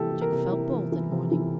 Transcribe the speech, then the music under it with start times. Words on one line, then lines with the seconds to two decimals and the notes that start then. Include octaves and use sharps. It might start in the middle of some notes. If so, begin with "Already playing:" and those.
Jack felt bold that morning.
Already playing: C3 E3 A#3 E4 G4 A4
0.12 E4
0.21 A#4
0.32 C3
0.52 E4
0.71 E3
0.92 E3
1.11 C3
1.32 E3